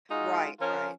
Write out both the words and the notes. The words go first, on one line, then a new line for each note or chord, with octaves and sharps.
Right, right.
G#3 D#4 F4 F#4
F3 C#4 F4 A#4